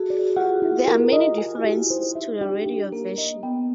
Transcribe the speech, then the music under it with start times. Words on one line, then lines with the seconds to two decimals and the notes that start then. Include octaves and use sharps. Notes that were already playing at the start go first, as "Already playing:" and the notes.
There are many differences to the radio version.
Already playing: F#4 G#4 A4
0.10 D5
0.36 F4 G4 F#5
0.62 E4
0.88 A#4
1.13 D#5
1.38 G#5
1.49 F4
1.56 E4 F#4
1.65 G4
1.72 F4
1.90 D#4 C5
2.15 E5
2.41 D4 G4
2.66 G4
2.92 A#3 A#4
3.18 D#5
3.43 B3 G5